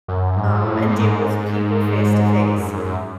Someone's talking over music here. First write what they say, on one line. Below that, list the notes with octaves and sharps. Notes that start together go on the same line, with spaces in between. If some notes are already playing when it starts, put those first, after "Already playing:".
um, and deal with people face to face.
F#2
G#2
A2
G#2
F#2
G#2
F#2
F#2